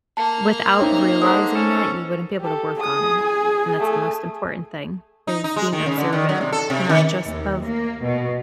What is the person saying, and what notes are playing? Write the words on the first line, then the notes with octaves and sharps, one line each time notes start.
without realizing that, you wouldn't be able to work on it. And that's the most important thing, is being observant, not just of
A#3 A5 A#5
C3 D#4 C#5
D3 G#3 C5 D#6
C#4 A4
G4 A4
G#4 D#6
G#5
A3 G#5
D#4
D#4
G#3
D#3
C#3
D3
D#3
F#3
C3
A4
C3
D#3
D#2
A#3
B2